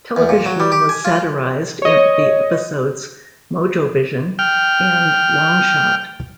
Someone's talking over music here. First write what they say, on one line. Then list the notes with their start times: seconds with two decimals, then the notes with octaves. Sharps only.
Television was satirized in the episodes "Mojovision" and "Longshot".
0.16 E2
0.29 A#2
0.46 F#3
0.60 G3
0.72 G4
0.89 G#5
1.05 F4
1.82 C#5 D#5
4.39 G5 F6